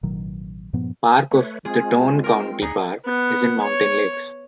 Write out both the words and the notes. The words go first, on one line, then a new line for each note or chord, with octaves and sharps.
Part of The Tourne county park is in Mountain Lakes.
A1 B2 D#3 F#3
G2 A#2 F3 B3
A3 B4 C#5
G#3 C4 F4 G#4
A#4 G5
D2 D#4 G#4 D5 F#5
B3 F#5
C#5